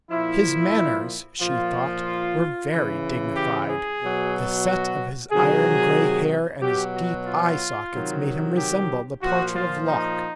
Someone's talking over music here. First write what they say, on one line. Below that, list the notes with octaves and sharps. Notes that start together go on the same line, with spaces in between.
His manners, she thought, were very dignified; the set of his iron-gray hair and his deep eye-sockets made him resemble the portrait of Locke.
A#2 F3 E4
A#2 F3 F4
C#3 E3
G4
G#4
B2 F#3
F#4
C3 D#3 F#3 G#4
B2 F#3 G4
F#4
F4
C3 D#3 F#3
G4
A#2 F3 F#4
F4
D#4